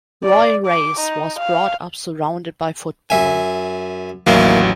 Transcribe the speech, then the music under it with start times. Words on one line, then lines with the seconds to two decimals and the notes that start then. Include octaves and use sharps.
Roy Race was brought up surrounded by football.
0.24 D5
0.66 D6
1.00 D#4
1.39 F5
3.10 F#2 E5 G#5
4.27 A1 D#2 F#3 A#3 E4